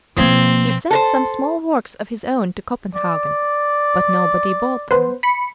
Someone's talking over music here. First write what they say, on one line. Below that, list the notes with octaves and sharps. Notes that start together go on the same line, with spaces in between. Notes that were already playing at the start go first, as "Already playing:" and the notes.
He sent some small works of his own to Copenhagen; but nobody bought them.
B2 F3 A#3 C4 F4 G#6
A4 A#4 C5
D5
B3 B4 C5
B5 C#7